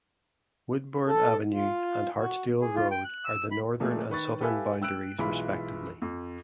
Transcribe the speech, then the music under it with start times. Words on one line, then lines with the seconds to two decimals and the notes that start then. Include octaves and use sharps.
Woodbourne Avenue and Hartsdale Road are the northern and southern boundaries respectively.
1.07 A4
1.53 F4
2.17 F#4
2.61 G#4
2.76 F4
2.91 G5
3.04 F#6
3.25 E6
3.51 B5
3.80 A#2 F3 A3 G#4
4.10 D#3 B4 C#6 A6
4.41 G4 A4 B4 E5 F5 G#5
4.82 G5 E6 F#6 D7
5.18 B1 E3 G#3 F4 B5
6.02 F2